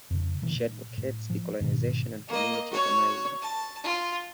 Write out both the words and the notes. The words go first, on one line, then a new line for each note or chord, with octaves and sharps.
She advocates decolonization and community organizing.
F2 C#3
A#2 D3 E3 A#3
A#2
A2
F3
G#2 B2 D#3
A#3 D#5
F#4 C#5
A5
F4